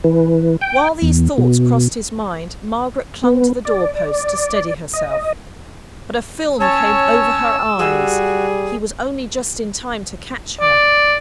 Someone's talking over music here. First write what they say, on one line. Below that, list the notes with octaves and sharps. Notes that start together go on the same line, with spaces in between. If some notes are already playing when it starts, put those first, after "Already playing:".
While these thoughts crossed his mind, Margaret clung to the doorpost to steady herself: but a film came over her eyes--he was only just in time to catch her.
E3
G5
E2
B2
B3
D5
D#5
C#4 C#5 A5 E6
G3 F#4 G#4
D5